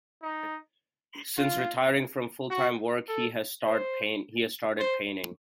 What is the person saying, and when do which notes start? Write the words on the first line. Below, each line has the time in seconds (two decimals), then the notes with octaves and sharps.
Since retiring from full-time work, he has started painting.
0.23 D#4
1.37 F4
2.51 F#4
3.08 A4
3.65 C5
4.79 C5